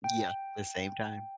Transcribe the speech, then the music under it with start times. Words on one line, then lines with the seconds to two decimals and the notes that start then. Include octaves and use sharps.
Yeah. The same time.
0.04 G5